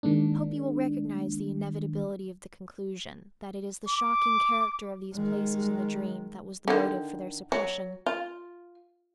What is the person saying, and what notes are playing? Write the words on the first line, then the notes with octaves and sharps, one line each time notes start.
I hope you will recognize the inevitability of the conclusion that it is the shocking character of these places in the dream that was the motive for their suppression.
D#3 G#3 A#3 D4
D6
D#3 G#3
D3 D#3
F#3
F4